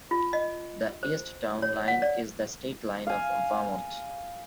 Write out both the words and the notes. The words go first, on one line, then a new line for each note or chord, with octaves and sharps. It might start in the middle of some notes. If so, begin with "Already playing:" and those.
The east town line is the state line of Vermont.
F4
D#5
C5
C#5
F#5
D5
F5 G#5